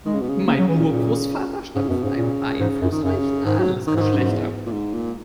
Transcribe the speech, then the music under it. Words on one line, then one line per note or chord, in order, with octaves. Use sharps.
Mein Urgroßvater stammte von einem einflussreichen Adelsgeschlecht ab.
D#3 G#3
C#3
B2
C#3
C#3 A#3
F#3
E3
A#2
A#2
G#2 C#3
F#2 B2
G#2 C#3
A#2
G#2
F#2
D#3
F#2 C#3
G#2 D#3
F#3
G#2 D#3
E3
D#3
F#2
E2
A#2
G#2
A#2